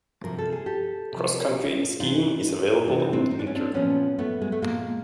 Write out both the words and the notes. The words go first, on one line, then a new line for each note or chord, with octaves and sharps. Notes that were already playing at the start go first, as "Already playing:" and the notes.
Cross-country skiing is available in the winter.
C3 F3 A#4
A4
G#4
G4 A4
C3 F3
C3 E3 D#4 F4
C3 E3 D4
D#4
C4 D4
D#4
D4
C#4
C4 D4
A#2 F3 B3 C#4
A3 B3
G#3
A3
A#2 F3 G#3 A#3